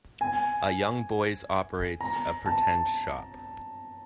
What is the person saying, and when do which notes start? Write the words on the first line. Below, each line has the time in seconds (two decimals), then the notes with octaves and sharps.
A young boys operates a pretend shop.
0.21 G#5
2.01 A#5
2.46 A5